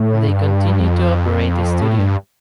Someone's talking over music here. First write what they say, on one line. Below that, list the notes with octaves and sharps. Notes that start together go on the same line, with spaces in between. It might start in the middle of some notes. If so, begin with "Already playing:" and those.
They continue to operate the studio.
Already playing: A2
G2
F2
A2
G2